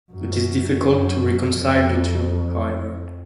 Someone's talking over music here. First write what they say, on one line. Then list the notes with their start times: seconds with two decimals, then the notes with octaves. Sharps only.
It is difficult to reconcile the two, however.
0.12 F#2
0.84 F#2
1.56 F2